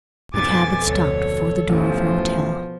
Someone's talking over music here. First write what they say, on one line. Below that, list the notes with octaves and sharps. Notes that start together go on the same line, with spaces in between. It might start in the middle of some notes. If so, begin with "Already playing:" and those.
The cab had stopped before the door of her hotel.
F2 G#2 B2 G#5 D6 A6
D2 A4 C#5
A1 F2 B2 F3